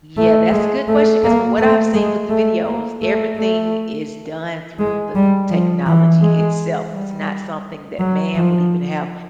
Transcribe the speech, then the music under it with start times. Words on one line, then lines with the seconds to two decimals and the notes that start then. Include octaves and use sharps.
Yeah, that's a good question 'cause from what I've seen with the videos, everything is done through the technology itself. It's not something that man would even have,
0.17 A3
0.52 G#3
0.88 A3
1.24 A#3
1.58 A3
1.94 G#3
2.30 A3
2.65 A#3
3.02 A3
3.37 A3
4.79 G#3
5.15 G3
5.50 F3
5.87 E3
6.21 G#3
6.92 G3
7.99 F#3
8.36 F3